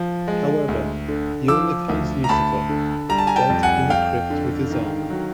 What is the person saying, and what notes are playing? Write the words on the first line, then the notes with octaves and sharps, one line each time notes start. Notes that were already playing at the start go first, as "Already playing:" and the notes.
However, he only finds Lucifer, dead in a crypt with his armor.
Already playing: F3
G#3
D2
D3
F3 D6 E6
D2
A#5
D2 A5 B5
D3
G3 A#5
A5
G#5 A#5
G5 A5
F2
F#5 G#5
F2 F5 G5
D3
D#3
F#3